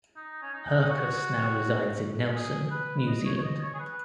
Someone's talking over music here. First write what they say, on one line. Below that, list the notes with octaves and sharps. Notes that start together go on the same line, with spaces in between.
Hercus now resides in Nelson, New Zealand.
D#4
C#4
D#4
D#4
F#4
G#4
B4
D#5
C#5
C#5
D#5
C#5
G#4
B4